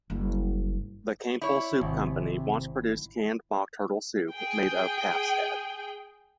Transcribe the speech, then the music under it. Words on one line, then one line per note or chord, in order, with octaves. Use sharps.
The Campbell Soup Company once produced canned mock turtle soup made of calf's head.
F#1 G2
E4 C#5
G#1 C3
G#4 G5